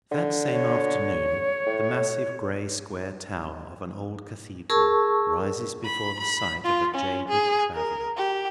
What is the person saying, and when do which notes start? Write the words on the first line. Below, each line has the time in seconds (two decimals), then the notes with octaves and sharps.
That same afternoon, the massive gray square tower of an old Cathedral rises before the sight of a jaded traveller.
0.12 D3
0.51 C#5
1.66 A2
4.70 G#4 A#4 A5 C#6 E6
5.85 B5
6.20 B5
6.64 F4
6.95 C#4
7.28 G#4
7.74 A#4
8.17 G4